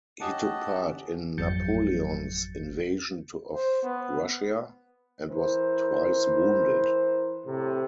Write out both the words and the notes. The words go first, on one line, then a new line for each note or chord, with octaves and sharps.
He took part in Napoleon's invasion of Russia, and was twice wounded.
C#4 G4 D#5 F#5 A5
G#1 F2 F#3 G6 A6 C#7
C5
B3
E3 A#4 C5
A2 C3